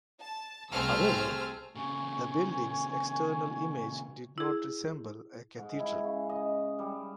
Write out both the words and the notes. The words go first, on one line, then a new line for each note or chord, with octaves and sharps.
However, the building's external image did not resemble a cathedral.
A5
C2 A3 C4 G#4 E6 F6
A#2 C#3 G#5 C#6
E4 G#4
G#2
E4
C#3
D#5
G3